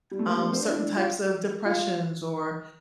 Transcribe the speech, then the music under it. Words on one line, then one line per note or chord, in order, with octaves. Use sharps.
um, certain types of depressions or,
G3
A3
A#3
G3
A3
C4
D4
E4
D4
F4
F4